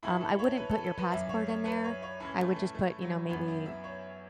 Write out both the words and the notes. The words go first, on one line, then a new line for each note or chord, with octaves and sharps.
um, I wouldn't put your passport in there, I would just put, you know, maybe,
A2 E3 E4
A4
C#5
B4
A4
A4
B4
F#2 E3 E5
C#5
C#5
B4
C#5
C#5
A2 E3 C#4
A3
A3
A3
F#3
F#2 E3 B3
E4
E5
C#5